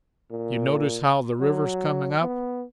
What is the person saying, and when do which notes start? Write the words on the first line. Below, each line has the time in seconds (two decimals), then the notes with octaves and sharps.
Yuh notice how the river's coming up?
0.31 A#2
1.40 F#3
2.21 B3